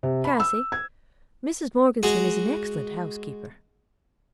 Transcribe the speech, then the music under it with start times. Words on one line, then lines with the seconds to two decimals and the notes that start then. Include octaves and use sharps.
"Cassy, Mrs. Morgeson is an excellent housekeeper."
0.03 C3
0.25 B5
0.40 E6
0.72 G#6
2.03 G#3 F#4 G#4